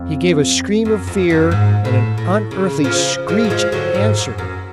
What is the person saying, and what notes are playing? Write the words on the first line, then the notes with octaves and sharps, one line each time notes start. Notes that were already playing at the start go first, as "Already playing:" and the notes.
He gave a scream of fear, and an unearthly screech answered him.
Already playing: F2
F#2
F2
F#2
G#2
A2
A2
C#3
C#3 F3
F3 G#3
F#3
F3 G#3
D3 F#3
G#2
F#2
F#2